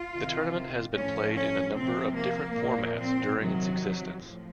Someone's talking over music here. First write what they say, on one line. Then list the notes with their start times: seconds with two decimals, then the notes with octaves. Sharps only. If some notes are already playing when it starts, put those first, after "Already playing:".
The tournament has been played in a number of different formats during its existence.
Already playing: F4
0.12 C3 D#3
0.93 A2 F3 C#4
1.34 C#4
1.74 C3 F3 C4
2.15 A#3
2.56 A#2 F3
2.96 C4
3.37 C3 D#3 F#3
4.19 A2 F3